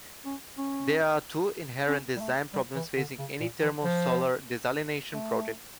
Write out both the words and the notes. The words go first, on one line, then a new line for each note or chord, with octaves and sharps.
There are two inherent design problems facing any thermal solar desalination project.
C#4
C#4
C#4
G3
A3
G3
E3
D3
C#3
A#2
E3
F3
A3